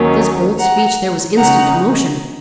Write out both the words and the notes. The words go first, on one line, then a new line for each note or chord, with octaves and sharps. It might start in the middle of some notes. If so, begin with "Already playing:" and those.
At this bold speech there was instant commotion.
Already playing: D#2 D#3 F#3 C#4
F#5 A#5
C#3 G#3 D#4 F#5 A#5